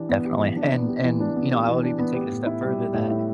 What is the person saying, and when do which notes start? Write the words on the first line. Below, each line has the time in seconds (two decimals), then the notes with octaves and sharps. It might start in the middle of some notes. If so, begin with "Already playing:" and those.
Definitely. And and, you know, I would even take it a step further that
Already playing: E3 D4 G4
0.09 B3
0.25 G4
0.41 E3
0.57 D4
0.73 B3
0.88 G4
1.04 E3
1.20 D4
1.36 B3
1.51 G4
1.68 E3
1.83 D4
1.99 B3
2.15 G4
2.32 A2
2.46 E4
2.63 G3
2.79 G4
2.94 A2
3.11 E4